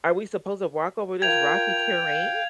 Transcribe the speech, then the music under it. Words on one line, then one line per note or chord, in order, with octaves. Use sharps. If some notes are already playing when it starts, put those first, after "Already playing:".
"Are we supposed to walk over this rocky terrain?"
F4 A#4 G5 G#6 F7
F5